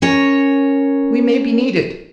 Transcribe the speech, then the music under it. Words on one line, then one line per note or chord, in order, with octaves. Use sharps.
"We may be needed."
C#4 A#4 C#5